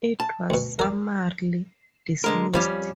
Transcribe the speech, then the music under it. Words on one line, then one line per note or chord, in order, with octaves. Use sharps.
It was summarily dismissed.
A5
D2 B2
A#4 D5
D3 G#3 A#4
F2 F3 G3 C#4